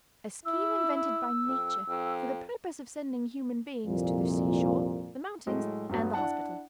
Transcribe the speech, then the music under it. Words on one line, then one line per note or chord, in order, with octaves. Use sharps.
A scheme invented by Nature for the purpose of sending human beings to the seashore, the mountains and the hospital.
E4 E6
E6
F2
F2
C2 F2 A#2
A2 F#3 G#3 A3
G2 F#3 B3
D4 E4 F#5 A5